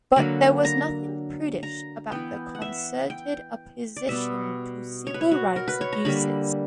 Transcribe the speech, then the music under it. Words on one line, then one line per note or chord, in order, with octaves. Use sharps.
But there was nothing prudish about their concerted opposition to civil rights abuses.
D3 F#3 A#3 B5
A#5
A#5
E3 B3 G5
F#5
E5
G5
D5
B2 G3 B3 E5
C#5
B4
C#5
F#4
A#4
B4
C#5
A#5
D3 G3 A#3 B5